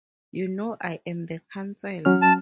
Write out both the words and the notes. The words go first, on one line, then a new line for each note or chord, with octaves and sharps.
You know I am the Chancellor.
F#3 C#4 F6
A5